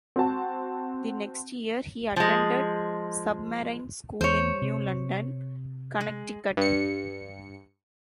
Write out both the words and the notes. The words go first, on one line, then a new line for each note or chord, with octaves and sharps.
The next year he attended Submarine School in New London, Connecticut.
C4 F#4 A5
F3 G#3
E2 C5 C#5
C3
G#3
G2 C#7